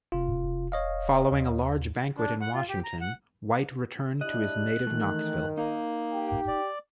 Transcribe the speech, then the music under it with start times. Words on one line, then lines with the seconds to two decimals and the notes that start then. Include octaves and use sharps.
Following a large banquet in Washington, White returned to his native Knoxville.
0.12 E1 C3 F4
0.72 C#5 D#5 F5
1.32 D#2
2.18 D4
2.41 F#5
2.54 F4
2.69 G4
2.84 A#5
3.01 F#5
4.21 D4 E4 G4 D#5 F#6
4.87 D#3 E3 A3
5.58 A#3 D#4
6.13 G4 G5
6.47 D5